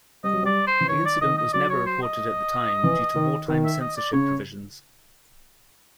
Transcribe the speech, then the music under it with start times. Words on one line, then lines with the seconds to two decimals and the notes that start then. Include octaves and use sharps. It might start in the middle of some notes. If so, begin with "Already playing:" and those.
The incident was never reported at the time due to wartime censorship provisions.
0.24 G3 D#5
0.33 F#3
0.43 G3 D5
0.67 C5
0.81 E3
0.89 D#3 C#5
1.05 D5
1.21 D#3 D#5
1.37 D#5
1.53 F#3 D5
1.70 C#5
1.86 C5
2.02 D#5
2.84 E3
3.16 D#3
3.48 D#3
3.65 E5
3.80 D#5
3.97 D5
4.13 C#3 C#5